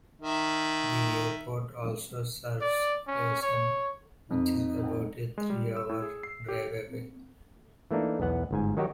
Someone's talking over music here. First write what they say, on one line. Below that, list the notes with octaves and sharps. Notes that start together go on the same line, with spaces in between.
The airport also serves Rason, which is about a three-hour drive away.
D#3 E5
D5
C#4
C#5
F2 D#4
G#3
G3
E6
A2
G#4
C7
G4
E3 A3 A#3 D4 D#4
B1 E2 B3 F#5
G1 G#2 G#5
D#3 F#3 D#4 F#4 G4